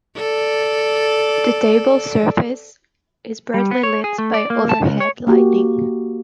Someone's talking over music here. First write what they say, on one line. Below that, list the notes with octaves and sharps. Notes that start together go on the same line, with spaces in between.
The table surface is brightly lit by overhead lighting.
A4 D5
G3
B3
C#5
G#4
A3
D5
A#3
A5
C#2
C#5
A#3 F#4 G4